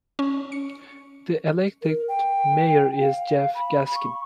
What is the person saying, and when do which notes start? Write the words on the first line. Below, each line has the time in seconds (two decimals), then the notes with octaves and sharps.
The elected mayor is Jeff Gaskin.
0.19 C#4
0.52 C#7
1.82 A#4
2.08 G5
3.01 F5
3.55 B5
3.95 C#6